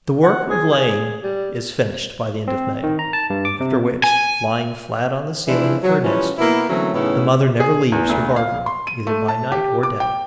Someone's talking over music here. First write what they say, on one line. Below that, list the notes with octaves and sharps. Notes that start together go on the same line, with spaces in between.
The work of laying is finished by the end of May, after which, lying flat on the ceiling of her nest, the mother never leaves her guard-room, either by night or day.
F#5
G#4
G#4
G3
C4
D#3
A#5
A5
G2
D6
C3
G#5
E3 F3 G#3 D4 E4
F#3
E3 F3 G3 C#4
B2 A#3 B3 E4
D3 E3 F#3 A3 C4 C#4
A2 C#3 B3 C#4 D#4 E4
G#4
E2
D2
F5
C6
D#7
A3
A5
G4
D6
G5